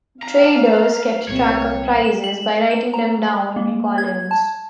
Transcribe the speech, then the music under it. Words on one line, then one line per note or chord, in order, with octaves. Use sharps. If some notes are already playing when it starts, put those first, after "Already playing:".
Traders kept track of prices by writing them down in columns.
F5 A#5
C2 A#2 A#3 C4 C#5
E7
F#7
E7
A#5
A#3
G#6
A5